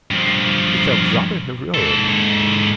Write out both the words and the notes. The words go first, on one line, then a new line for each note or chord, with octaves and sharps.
He felt rather heroic.
G2 F3
G#2 A4